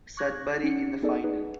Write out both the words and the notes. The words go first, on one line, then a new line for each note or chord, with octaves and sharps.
Sudbury in the final.
C#6 D6 F#6 G#6 A#6
C#4 F#5 C#7
B3 D#4 G#4 A4 D5
D#4 G#4 B4 D5 F#5